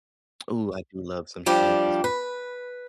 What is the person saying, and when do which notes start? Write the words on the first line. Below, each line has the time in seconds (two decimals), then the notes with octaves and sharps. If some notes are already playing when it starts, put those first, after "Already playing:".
Ooh, I do love some shrimp with some
1.46 F3 G3 D4 G4
2.04 B4